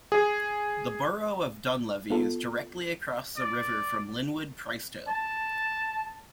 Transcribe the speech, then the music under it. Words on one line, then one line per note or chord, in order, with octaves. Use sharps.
The borough of Dunlevy is directly across the river from Lynnwood-Pricedale.
G#4
B3 F4 A4
D5
A5